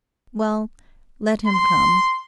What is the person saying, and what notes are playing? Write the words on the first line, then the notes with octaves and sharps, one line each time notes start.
Well, let him come.
C6